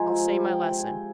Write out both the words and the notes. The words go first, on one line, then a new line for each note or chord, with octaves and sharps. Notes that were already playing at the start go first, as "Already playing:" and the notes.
I'll say my lesson.
Already playing: C3 F3 G#3 C4 G#5 A#5 C6
G5
G#5